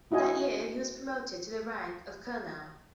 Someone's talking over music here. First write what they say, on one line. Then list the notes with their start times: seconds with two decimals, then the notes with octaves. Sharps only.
That year, he was promoted to the rank of colonel.
0.11 D4 E4 F#4 D#5 G#5